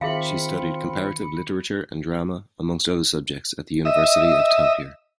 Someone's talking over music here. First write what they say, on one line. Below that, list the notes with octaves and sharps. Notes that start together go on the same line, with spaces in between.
She studied comparative literature and drama, amongst other subjects, at the University of Tampere.
D#3 C4 F4 G#4 E5 F5 B5 C#7
D#5 E5